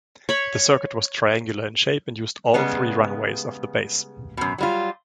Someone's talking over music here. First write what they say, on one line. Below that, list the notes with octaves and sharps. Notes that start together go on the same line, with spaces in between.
The circuit was triangular in shape, and used all three runways of the base.
C#5 B5
C#3 G3 G#3 B3
F#2 B2
F#3 G3 F4